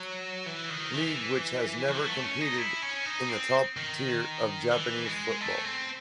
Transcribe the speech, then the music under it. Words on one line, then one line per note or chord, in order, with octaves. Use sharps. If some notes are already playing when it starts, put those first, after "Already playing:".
League which has never competed in the top tier of Japanese football.
Already playing: F#3
E3
D#3
E3
F#3
A3
C#4
D#4
E4
C#4
D#4
C4
D#3
E3
G#3
A3
C4